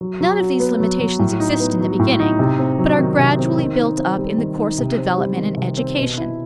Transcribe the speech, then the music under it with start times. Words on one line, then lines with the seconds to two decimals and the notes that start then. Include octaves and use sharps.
None of these limitations exist in the beginning, but are gradually built up in the course of development and education.
0.01 F#3
0.21 F#3
0.40 F#4
0.60 B3
0.80 F#3
1.00 F#3
1.19 A2
1.40 D#4
1.60 B3
1.79 F#3
2.00 A2
2.20 D#4
2.39 C3
2.59 C4
2.79 F#3
2.99 D#3
3.19 C3
3.39 C4
3.59 D#3
3.79 D#4
3.98 C4
4.18 G3
4.38 D#3
4.58 D#4
4.78 C3
4.98 C4
5.18 G3
5.37 D#3
5.57 C3
5.78 C4
5.97 B2
6.18 E4